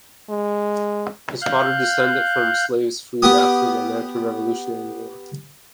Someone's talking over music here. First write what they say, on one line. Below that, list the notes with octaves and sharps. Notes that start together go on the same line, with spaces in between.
His father was descended from slaves freed after the American Revolutionary War.
G#3
F5 F#6 G6
B3 G4 D#6